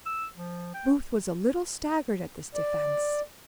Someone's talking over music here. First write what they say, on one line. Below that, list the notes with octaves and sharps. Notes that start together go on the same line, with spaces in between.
Booth was a little staggered at this defence.
E6
F3
G5
D5